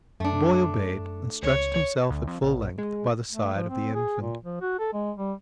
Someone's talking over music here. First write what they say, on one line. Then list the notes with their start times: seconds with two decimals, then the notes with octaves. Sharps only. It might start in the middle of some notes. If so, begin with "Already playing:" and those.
The boy obeyed, and stretched himself at full length by the side of the infant.
0.20 F#2 A3 D4
1.43 C#2 C#5
2.10 D2
2.27 F2
2.42 A#1
2.78 G#3
3.32 A3
3.54 F3
3.70 C4
3.94 G#4
4.21 A#2
4.44 F3
4.61 F#4
4.79 A4
4.93 G#3
5.17 G3